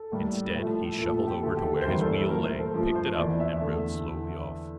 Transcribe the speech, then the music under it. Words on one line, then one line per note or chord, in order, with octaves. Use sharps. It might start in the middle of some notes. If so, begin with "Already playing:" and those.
Instead he shuffled over to where his wheel lay, picked it up, and rode slowly off.
Already playing: A4
A2 G3 A#3
A2 F3 A3
A#2 F3 A3 A4
A4
G4
D2 D3 A3 A4
G4
A4
C5
G2 E3 G3 A#3 A#4
A4
A4
A#2 A3 A#4
C5
A4
G2 F3 A3
C5
E2 E3 A#3 D5
E5
E2 D3 A3